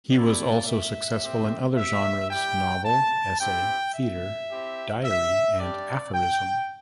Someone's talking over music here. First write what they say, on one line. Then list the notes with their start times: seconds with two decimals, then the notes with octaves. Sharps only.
He was also successful in other genres: novel, essay, theater, diary and aphorism.
0.12 A3 C4 E4 G4 D5
0.67 E5
1.21 C4 G4
1.76 E5
2.31 G3 E4 G4 G5
2.85 A5
3.40 C4 E4 G4 G5
3.95 E5
4.50 C4 E4 G4
5.05 E5
5.59 G3 D4 G4 D5
6.14 G5